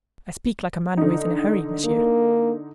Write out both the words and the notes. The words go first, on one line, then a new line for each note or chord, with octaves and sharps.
"I speak like a man who is in a hurry, monsieur."
D3 D#4
A#3